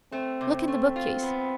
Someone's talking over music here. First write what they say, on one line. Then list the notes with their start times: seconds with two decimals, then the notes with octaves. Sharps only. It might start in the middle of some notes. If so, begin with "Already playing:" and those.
Look in the bookcase!
0.12 A3 C4
0.41 C3
0.68 A3
0.96 F4
1.22 B3